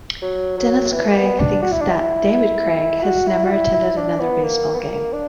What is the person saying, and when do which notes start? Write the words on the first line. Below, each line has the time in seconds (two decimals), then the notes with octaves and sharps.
Dennis Cregg thinks that David Cregg has never attended another baseball game.
0.22 F#3
0.57 F#3
0.92 E3
1.06 A#3
1.16 B3
1.39 D4
1.62 F#4
1.71 E4
1.81 D4
1.89 E4
3.03 F#4
3.27 E4
3.43 F#4
3.50 E4
3.74 E4
3.97 D4
4.20 B3
4.43 A#3
4.74 B3
4.79 A#3
5.13 D4